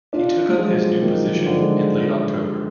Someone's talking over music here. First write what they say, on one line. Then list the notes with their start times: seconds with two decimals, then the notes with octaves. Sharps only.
He took up his new position in late October.
0.13 D4 F4
0.49 F#3
0.57 F3 G#3
1.02 D#3 F#3
1.31 F3
1.39 D#3
1.46 D3 F3
1.61 F3 G#3